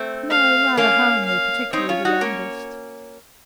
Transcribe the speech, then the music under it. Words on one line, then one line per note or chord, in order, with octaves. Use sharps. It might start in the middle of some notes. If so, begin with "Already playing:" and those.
'No, rather homely, particularly the youngest.'
Already playing: A3 C4
F5
A#3 C#4 F5
F5
C4 D#4 C#5
C#4 F4
D#4 F#4
A#3 C#4